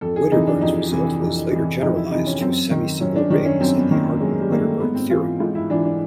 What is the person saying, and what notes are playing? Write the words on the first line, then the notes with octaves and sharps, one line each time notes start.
Wedderburn's result was later generalized to semisimple rings in the Artin-Wedderburn theorem.
F2 A4
G#4
C3 E3 D#4
D4
F2 D#4
C3 E3
F2
C3 E3
F2 D#4
E4
C3 E3 D#4
C#4
F#2 C4
D#3
F#2 C#4
D4
D#3 D4
C#4
F#2 C4
B3
D#3 A#3
F#2 G#3
G3
D#3 A#3
A3
G#2 B3
C4
E3 F4
G#2 F4
E4
E3 D4
D4